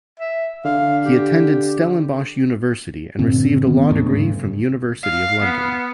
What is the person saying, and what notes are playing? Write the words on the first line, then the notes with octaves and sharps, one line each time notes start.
He attended Stellenbosch University and received a law degree from University of London.
E5
D3 F5
G4
G2 A#2 D3 C4
D#3 B3 C#4
D2 G#2
G2 C#3
F5
B3